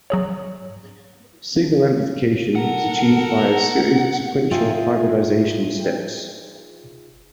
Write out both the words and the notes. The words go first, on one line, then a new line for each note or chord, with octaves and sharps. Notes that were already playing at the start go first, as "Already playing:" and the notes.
Signal amplification is achieved via a series of sequential hybridization steps.
F#3 G#4 C#5
A4 A#4 F#5
D#4 F4 G#4 E5 G5